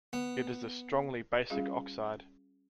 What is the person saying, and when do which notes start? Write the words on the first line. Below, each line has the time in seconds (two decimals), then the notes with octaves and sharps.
It is a strongly basic oxide.
0.13 B3
1.50 G3 C#4 F4 G#4 D#5 F5